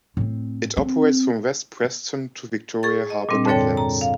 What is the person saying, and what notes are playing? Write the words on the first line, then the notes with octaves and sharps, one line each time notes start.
It operates from West Preston to Victoria Harbour Docklands.
A2 C4
C4
G#4 C#6 A6
D#5
A#2 G3 C4 D4
F2 G#2 D3 A4 C#5 G5
A#5
F5